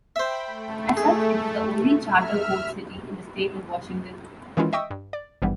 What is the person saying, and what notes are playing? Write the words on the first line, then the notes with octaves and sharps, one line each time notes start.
As such, it is the only Charter Code city in the state of Washington.
C5 E5 G5 B5
A3
G#4
E5 F6
D#3 E3 G#3 C#4 E4 F4
D#5 E5 G5 C#6 D#6 E6
G2
D5
G#1 G2 E3 G3 B3